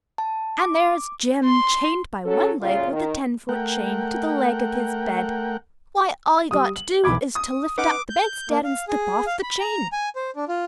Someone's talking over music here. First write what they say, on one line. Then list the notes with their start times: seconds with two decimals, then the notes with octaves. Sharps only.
And there's Jim chained by one leg, with a ten-foot chain, to the leg of his bed: why, all you got to do is to lift up the bedstead and slip off the chain.
0.18 A5
0.60 D6
1.45 C6
2.25 F#3 C#4 A4
2.61 F#2 A#2 C#3 F4
2.92 D#3
3.49 A3 A#4 F#5 G5
6.51 G3 D#6
6.76 F#7
7.04 B1 E2 B5 D6 G#6
7.35 D#6
7.78 C#4 D#4 B4 F#5 D6
8.10 G6
8.49 A#3
8.64 F5
8.88 G#4
9.27 F5
9.43 B5
9.60 A#5
9.92 G#5
10.16 C5
10.36 D4
10.49 F4